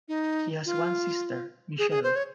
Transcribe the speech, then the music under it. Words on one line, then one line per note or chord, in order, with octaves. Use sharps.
He has one sister, Michele.
D#4
F4
G#4
G#4
C5
C#5